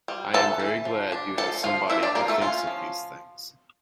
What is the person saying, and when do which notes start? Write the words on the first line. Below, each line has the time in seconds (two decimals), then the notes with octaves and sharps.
I am very glad you have somebody who thinks of these things.
0.08 G3
0.34 E3 A4 A5
0.60 E3
0.85 F3
1.12 D4
1.37 F3 A4 A5
1.63 F3 F4 F5
1.89 A#3 E4 E5
2.03 D4 D5
2.15 F3 A#3 A#4
2.28 A3 A4
2.41 C#4 F4
2.67 F3